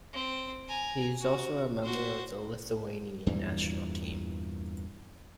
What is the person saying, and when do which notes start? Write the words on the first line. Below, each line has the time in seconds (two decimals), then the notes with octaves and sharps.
He is also a member of the Lithuanian national team.
0.13 C4
0.68 G#5 A#5
1.21 F#4
1.82 F#4 C5
3.27 E2 G2 A#2 E3